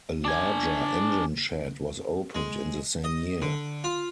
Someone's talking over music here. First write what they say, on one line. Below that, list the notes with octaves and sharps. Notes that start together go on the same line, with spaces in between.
A larger engine shed was opened in the same year.
D4 G#5
G#3
D#5
D3
F4